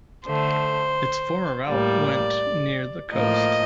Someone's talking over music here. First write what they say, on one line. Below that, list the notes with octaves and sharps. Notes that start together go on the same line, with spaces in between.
Its former route went near the coast.
D3 A3 C5
A2 G3 A#3 D5
A2 F3 A#3 D#5